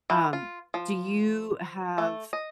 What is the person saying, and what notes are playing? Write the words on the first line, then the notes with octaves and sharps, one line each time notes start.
Um, do you have
E3
F4
F3
A3
D#5